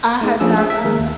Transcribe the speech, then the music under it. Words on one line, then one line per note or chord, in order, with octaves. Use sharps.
I have not I've no
A3 D#4 G#4
F3 C#4 D4 G#4 E6
G#4 E5
E5
D#3 G#3 A#3 G#4 A#4
D#2